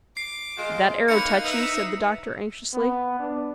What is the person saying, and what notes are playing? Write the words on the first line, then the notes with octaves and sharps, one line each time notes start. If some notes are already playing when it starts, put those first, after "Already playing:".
"Did that arrow touch you?" said the doctor anxiously.
D6 C7
D#3 G#3 F4
A#3 D#4 B4 A#5 C#7
B4 D#5 E5
B3
D4